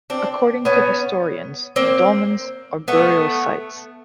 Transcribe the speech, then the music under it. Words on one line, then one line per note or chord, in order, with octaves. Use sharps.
According to historians, the dolmens are burial sites.
C4 D4
B3 C#4
A#3 C4
A3 B3